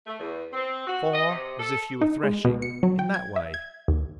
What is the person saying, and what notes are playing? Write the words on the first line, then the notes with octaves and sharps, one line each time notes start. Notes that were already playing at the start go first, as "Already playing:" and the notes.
Four, as if you were threshing--in that way.
A3
E2
C4
F#4
D#5
C3
A4
D#4
G#3
B2
C#7
F#3
G5
G#6
E5
G#6
D#2